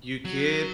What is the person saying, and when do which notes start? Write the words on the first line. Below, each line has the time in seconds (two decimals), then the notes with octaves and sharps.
you could
0.25 F#3